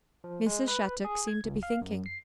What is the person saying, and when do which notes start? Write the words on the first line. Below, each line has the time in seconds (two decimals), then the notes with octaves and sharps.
Mrs. Shattuck seemed to be thinking.
0.24 F3
0.46 G#3
0.68 B4
1.05 G#4
1.28 G#6
1.44 C#2
1.63 F5
1.81 F#2
2.06 C7